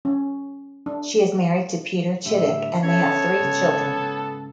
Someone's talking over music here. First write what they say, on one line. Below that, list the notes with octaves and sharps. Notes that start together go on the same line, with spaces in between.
She is married to Peter Chittick, and they have three children.
C#4
D4
A2 D3 G3 E5
B3 C#4 A4 C#5 E5
G#2 C#3